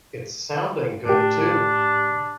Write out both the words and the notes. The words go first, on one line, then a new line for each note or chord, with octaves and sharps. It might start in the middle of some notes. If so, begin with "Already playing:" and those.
It's sounding good too.
A2 D4 G4